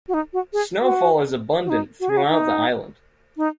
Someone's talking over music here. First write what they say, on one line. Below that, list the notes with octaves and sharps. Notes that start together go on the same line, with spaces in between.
Snowfall is abundant throughout the island.
F#4
D#4
F#4
G#4
F#4
F#4
D#4
F#4
G#4
F#4
D#4
D#4